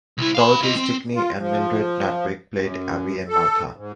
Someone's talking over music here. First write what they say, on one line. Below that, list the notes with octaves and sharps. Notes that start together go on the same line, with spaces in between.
Dorothy Stickney and Mildred Natwick played Abby and Martha.
C2 E4
F5 B5
F4 D#5
C4
F4
F3
F#2
A4
G#2